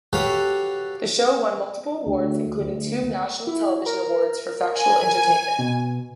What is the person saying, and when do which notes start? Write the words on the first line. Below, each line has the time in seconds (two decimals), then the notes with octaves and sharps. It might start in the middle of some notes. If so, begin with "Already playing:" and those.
The show won multiple awards including two National Television Awards for 'Factual Entertainment'.
0.13 F#4 G4 A4 B4 C#5 F5
2.06 D2
2.59 D2
3.47 E4
3.86 A#4
4.78 G#5
5.59 B2